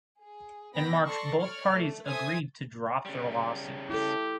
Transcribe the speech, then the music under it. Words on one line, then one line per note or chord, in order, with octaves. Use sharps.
In March both parties agreed to drop their lawsuits.
G#4
B3 D#4 G5 B5 A#6
A4 D5 A5 C6 C#6 A#6
C#5 D5 F6
A3
A4 C5 E5 G#5 D#6 G#6
C#3 G3
E4 G4 A4